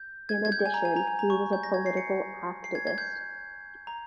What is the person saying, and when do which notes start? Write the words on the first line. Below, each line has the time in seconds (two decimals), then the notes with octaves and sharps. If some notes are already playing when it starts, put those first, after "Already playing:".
In addition, he was a political activist.
Already playing: G6
0.29 G#6
0.45 G#6
0.52 G6
0.66 G#5
0.74 A#5
0.85 G#5
0.96 A#5
1.07 G#5
1.19 A#5
1.30 C#6
1.53 G6
1.63 A#6
1.74 G#6
1.86 C7
1.97 C#7
2.64 C7
2.75 G#6
2.87 G#6
2.98 G6
3.87 A#5